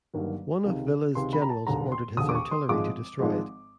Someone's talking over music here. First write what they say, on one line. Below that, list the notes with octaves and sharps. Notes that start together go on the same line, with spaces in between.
One of Villa's generals ordered his artillery to destroy it.
G1 G2 D#3 F#3 A#3
C#2 C3 D#3
C#2 C3 D#3 C6
B5
A#5
A5
E1 D#2 D3 A#5
C6
E1 D#2 D3 D#6
D6
C#6
C6
G#1 G#2 F3 G#3 D6
G#1 G#2 F3 G#3